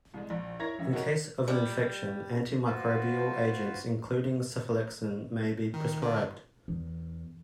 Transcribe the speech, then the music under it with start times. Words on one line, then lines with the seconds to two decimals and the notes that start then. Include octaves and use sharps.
In case of an infection, antimicrobial agents including cephalexin may be prescribed.
0.14 C2 G#3
0.30 A#1
0.59 E4 A#4 C#5 G#6 A#6
0.79 F1 C#3 E5
0.92 D#4 F#4 G#4 A#4 C#5
1.48 G3
2.65 F4 F#4 B4 C5
5.74 D#3
6.02 D3
6.68 E2